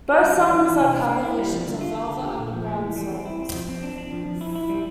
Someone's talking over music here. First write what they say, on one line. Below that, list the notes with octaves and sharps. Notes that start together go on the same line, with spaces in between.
Both songs are cover versions of Velvet Underground songs.
F4
G3
E3
E3
E4
C3
D4
A#3
E4
G3
F3
D3
F4
A4
D3
G4
A#2
F3
A3
E3
G3
C4
E4
C4
F3
C4
D4
D4
F3
F3
E4
E4
G3